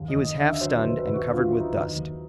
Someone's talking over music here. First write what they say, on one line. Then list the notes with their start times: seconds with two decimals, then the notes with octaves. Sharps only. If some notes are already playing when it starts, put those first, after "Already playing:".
He was half stunned and covered with dust.
Already playing: D#2
0.08 D#5
0.16 D#2
0.23 D#5
0.38 D3 E5
0.50 E5
0.61 F#3 C5
0.72 B4
0.84 D#2 C5
0.98 B4
1.06 D#2
1.14 F#4
1.29 D3 F4
1.51 F#3
1.59 D#4
1.74 D#2 D#4
1.96 D#2